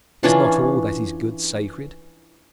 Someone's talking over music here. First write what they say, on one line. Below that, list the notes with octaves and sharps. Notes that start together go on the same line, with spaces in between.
Is not all that is good sacred?
E3 C#4 D4 F4